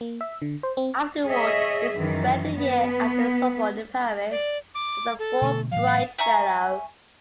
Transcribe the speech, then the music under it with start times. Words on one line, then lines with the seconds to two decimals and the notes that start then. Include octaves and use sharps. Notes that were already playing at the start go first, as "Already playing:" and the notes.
Afterward, he spent a year at the Sorbonne, in Paris, as a Fulbright Fellow.
0.01 A#3
0.21 E5
0.42 D3
0.63 C5
0.77 C4
1.25 G#4 C#5 D#5 E5
1.95 F#2 D#3 E3
2.57 B3
4.31 D5
4.75 D6
5.19 A4
5.42 B2 D3 A3
5.71 A2 E3 F#3 F5
6.18 E5 G#5 A#5 C#6